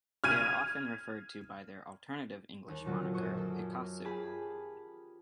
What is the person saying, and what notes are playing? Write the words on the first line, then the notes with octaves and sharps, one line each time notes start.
They are often referred to by their alternative English moniker, Hikasu.
F6 G#6 D#7
D#2
A#2 D3 F#3 F4 F#4 A4
F#2 F#4 C5 C#6 D#6
A4
F4 G4 G#4 A5 B5 D#6